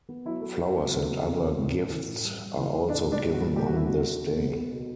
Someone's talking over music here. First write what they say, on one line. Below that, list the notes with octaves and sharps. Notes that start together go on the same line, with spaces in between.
Flowers and other gifts are also given on this day.
B3
F#3 E4
A3
F#3
F#3
C3
F#3
C3
C3
A2
A3
E3
A2
G3
G3
E3
E3
A2 D4
G3 D4
A2
F#4
G3
C4 G4
F#4
D3 E4
D3 F#4
A3
B2
B3
B3
B2